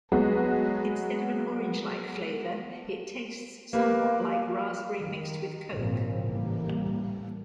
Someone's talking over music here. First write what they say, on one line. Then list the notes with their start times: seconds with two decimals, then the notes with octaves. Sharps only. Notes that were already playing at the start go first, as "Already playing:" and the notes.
Instead of an orange-like flavour it tastes somewhat like raspberry mixed with coke.
0.12 F#3 G#3 B3 F#4
3.73 A#3 G4 B4 F5
5.01 D#3
5.73 G#1 A#2 C#3 F3 C4
6.25 A1 E3 G3 A#3